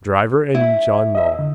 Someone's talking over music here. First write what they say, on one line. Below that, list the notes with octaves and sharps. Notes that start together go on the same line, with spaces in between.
Driver in John Long's.
E4
D#5 E5
D3